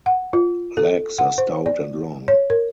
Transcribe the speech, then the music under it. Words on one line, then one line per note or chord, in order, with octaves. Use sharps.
Legs are stout and long.
F#5
F4
A4
F#5
C5
D5
C#5
A#4